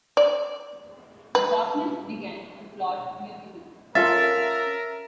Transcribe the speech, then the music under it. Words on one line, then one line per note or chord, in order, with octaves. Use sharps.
The topmen began to plot mutiny.
D5
B4
C#4 F4 A4 A#4 E5 A6